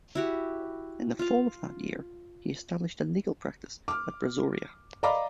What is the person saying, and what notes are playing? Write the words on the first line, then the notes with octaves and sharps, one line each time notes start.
In the fall of that year, he established a legal practice at Brazoria.
E4 F#4 G4
F4 F5
D6 F6
D5 D#5 F5 A#5 B5 D6